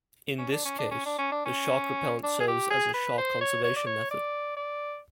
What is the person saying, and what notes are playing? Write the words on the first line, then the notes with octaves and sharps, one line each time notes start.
In this case, the shark repellent serves as a shark conservation method.
C#4
D4
C#4
D4
C#4
D4
C#4
D4
C#4
D4
G#4
G4
G#4
B4
C5
C#5
C#5
D5
C#5
D5
D5